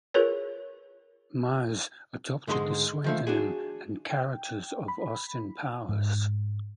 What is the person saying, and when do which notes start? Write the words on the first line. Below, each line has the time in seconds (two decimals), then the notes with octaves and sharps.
Myers adopted the pseudonym and character of Austin Powers.
0.14 F4 G#4 A#4 B4 C#5
2.47 G#2 D3 G#3 B5 C6
3.04 D#3 F3 A3
3.27 D4 F#4 G#4
4.11 G5
4.88 B5
5.89 G#2